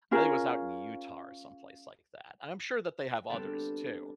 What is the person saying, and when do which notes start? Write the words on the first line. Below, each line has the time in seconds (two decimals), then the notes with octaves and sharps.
I think it was out in Utah or someplace like that, and I'm sure that they have others too,
0.11 C#4 F4 G#4 A#4
3.30 G3 B3 C4 D4 G4 A4